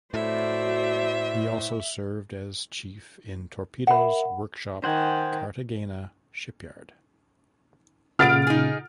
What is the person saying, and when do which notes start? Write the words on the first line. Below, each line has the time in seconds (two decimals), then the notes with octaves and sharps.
He also served as chief in Torpedoes Workshop Cartagena Shipyard.
0.14 A2 F#4 C5 D5 E5
3.87 A#4 E5 F#5 B5
4.84 D#3 C5 F#5 G#5
8.19 A#2 C#3 F4 A4 F#5 F6 A6 D7
8.47 D#4 G#4